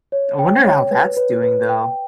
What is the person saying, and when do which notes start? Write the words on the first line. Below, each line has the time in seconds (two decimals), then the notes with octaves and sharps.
I wonder how that's doing though.
0.12 C#5
0.39 G5
0.65 C#5
0.91 B4
1.17 B4
1.43 B4
1.69 G5